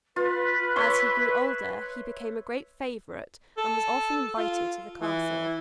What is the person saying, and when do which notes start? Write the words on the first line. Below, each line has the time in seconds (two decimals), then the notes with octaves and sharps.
As he grew older he became a great favorite and was often invited to the castle.
0.16 F4 B4
0.76 C#5 E5 C6
3.57 A4
4.37 F4
5.01 E3